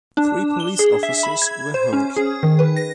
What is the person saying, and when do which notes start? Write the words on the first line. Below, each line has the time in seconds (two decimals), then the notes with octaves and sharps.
Three police officers were hurt.
0.17 D4
0.60 G7
0.79 G#4
1.03 E5
1.23 B5
1.42 G#6
1.74 C5
1.93 C#4
2.17 G#4
2.43 D#3
2.59 B4
2.76 A#6